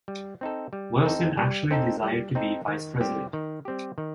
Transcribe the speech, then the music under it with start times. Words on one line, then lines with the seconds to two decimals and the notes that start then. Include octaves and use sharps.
Wilson actually desired to be Vice President.
0.08 G3
0.41 C4 D#4 A4
0.73 G3
1.06 C4 D#4 A4
1.38 G3
1.71 C4 D#4 A4
2.03 G3
2.35 C4 D#4 A4
2.68 D#3
3.01 G3 C4 G4
3.33 D#3
3.65 G3 C4 G4
3.98 D#3